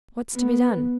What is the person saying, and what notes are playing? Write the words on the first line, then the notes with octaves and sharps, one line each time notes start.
What's to be done?
B3